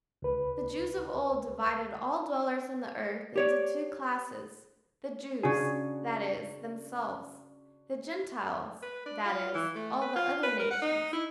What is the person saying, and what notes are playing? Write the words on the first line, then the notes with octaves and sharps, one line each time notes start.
The Jews of old divided all dwellers on the earth into two classes: the Jews--that is, themselves; the Gentiles--that is, all the other nations.
C#2 B4
G4 C#5 D5
C#3 C#4 D4 F#4 G#4
B4
D4
F4
E3
A3
B4
F4
B4
A#4
F#5
D#4
E4